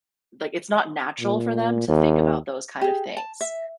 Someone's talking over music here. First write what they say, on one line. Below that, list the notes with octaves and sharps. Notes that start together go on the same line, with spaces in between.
like, it's not natural for them to think about those kind of things,
A#2
D#2
G4 G#4
A5
E5